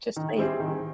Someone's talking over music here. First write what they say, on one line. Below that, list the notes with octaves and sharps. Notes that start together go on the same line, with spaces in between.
just saying
D#3
G3 C4 E4 G#4
D#3